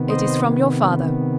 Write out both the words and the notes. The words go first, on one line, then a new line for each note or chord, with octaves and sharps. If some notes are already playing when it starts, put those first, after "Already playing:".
"It is from your father."
Already playing: C3 D#3 B3
C5 D#5